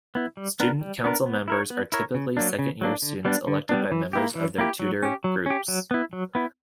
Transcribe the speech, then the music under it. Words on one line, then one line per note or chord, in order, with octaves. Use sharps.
Student Council members are typically second-year students elected by members of their tutor groups.
B3 E4
G3
B3 D4 A#4
G3
B3 D4 A#4
B3
E4 A#4 C#5
B3
E4 A#4 C#5
C#3
F#3 A#3 D4
C#3
F#3 A#3 D4
D3
G3 B3 D4
D3
G3 B3 D4
E3
A#3 E4 G4
E3
A#3 E4 G4
F#3
C#4 G4
F#3
C#4 G4
F#3
B3 E4
F#3
B3 E4